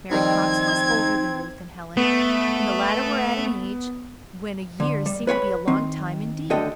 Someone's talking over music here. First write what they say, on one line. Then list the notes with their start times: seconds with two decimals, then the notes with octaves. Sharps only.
Mary Cox was older than Ruth and Helen, and the latter were at an age when a year seemed to be a long time indeed.
0.11 D#3 F3 G3 C4 D#4 G#6
1.97 A3 B3
4.80 D3
5.06 G3
5.27 B4 C#5 F5 B5
5.67 D#3 C4
6.50 D2 D3 A4 D#5 G5